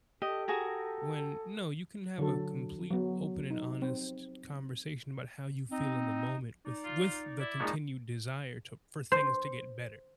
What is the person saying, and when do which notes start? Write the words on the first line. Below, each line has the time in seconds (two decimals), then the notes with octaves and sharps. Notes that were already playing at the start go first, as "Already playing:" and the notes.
when, no, you can have a complete, open, and honest conversation about how you feel in the moment with with the continued desire to for things to get better.
0.22 G4 A4 D#5
0.48 F#4 G#4 A#5
2.18 D3 F#3 F#4 A4
2.91 F#3 B3
3.51 D#4
3.82 C4
5.71 C4 D#4
6.65 D#4 D5
6.85 F4
7.40 E4 D5
7.60 A#1 G#3 D#4
9.12 C5